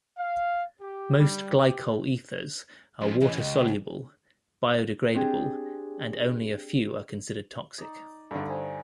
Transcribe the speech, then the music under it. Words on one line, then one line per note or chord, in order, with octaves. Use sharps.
Most glycol ethers are water-soluble, biodegradable and only a few are considered toxic.
F5
G4
G3
G4
F3 G#3 C#4
E3 C#4 D#5
C#2 D#5
D#4
C4 D4 G4 G#4
D#4 D5 D#5
G2 D3 A3 D#4
D#4 C5 G#5